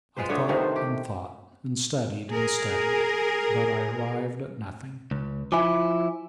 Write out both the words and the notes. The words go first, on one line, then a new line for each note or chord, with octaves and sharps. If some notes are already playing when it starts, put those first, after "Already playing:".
I thought and thought and studied and studied; but I arrived at nothing.
G#3 F4 B4 C5
D3 A3 B3 C#5
C3 D#3 A3 B3
C5
G4
G#4 A#4
C#2
F3 E4 G#5 D6